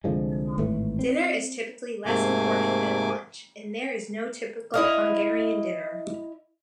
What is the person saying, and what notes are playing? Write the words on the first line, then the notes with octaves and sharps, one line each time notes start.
Dinner is typically less important then lunch, and there is no typical Hungarian dinner.
C2 D3 F3 G#3
G#1 A2 E3 A3
C4
G#2 C3 A3 A#3 G#5 D6
E4 D#5 F5